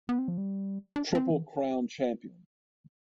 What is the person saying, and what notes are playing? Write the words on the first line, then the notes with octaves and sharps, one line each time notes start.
Triple Crown Champion.
B3
C4
F3
G3
D4
C4
E3